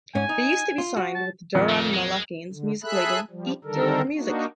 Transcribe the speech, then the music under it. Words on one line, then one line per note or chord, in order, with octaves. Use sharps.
They used to be signed with Daron Malakian's music label EatUrMusic.
G#2 C#4 G#5
D#4
F4
F#4
A5
F2 A#2
D#3
G#3
D3
G#4 A4 E5 B5 F#6
F3 G3
D3 D#3 G3 A4 A#4
A#3 D4 D#4 F#4